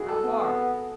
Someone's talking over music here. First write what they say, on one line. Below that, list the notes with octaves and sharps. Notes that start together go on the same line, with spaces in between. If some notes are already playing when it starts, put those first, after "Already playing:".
"How far?"
Already playing: E4 F#4 G#4
A4
B3